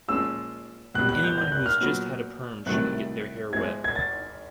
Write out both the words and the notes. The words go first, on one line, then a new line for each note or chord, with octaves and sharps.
Anyone who has just had a perm shouldn't get their hair wet.
A#2 F3 G#3 C#4 F4 E6
C#2 B2 G3 F#6
F#6
G6
G6
F#6
F6
A#2 F#3 B3
C2 C3 D#3 F#3 A3 F#6
G#2 F3 G#3 B3 E4 G#6
G#6
A6